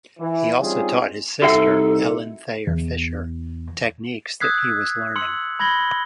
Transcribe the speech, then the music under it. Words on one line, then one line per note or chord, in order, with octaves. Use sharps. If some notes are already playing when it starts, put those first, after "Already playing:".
He also taught his sister, Ellen Thayer Fisher, techniques that he was learning.
E3
G3 C4 C#4 D#4 F4 G#4
C2 D#4 F#4 A4 E5 F#5
E2
D#6 E6 F#6 G#6 B6 C7
C6 E6 C#7 F#7
B5 G#6 A#6 F#7 G7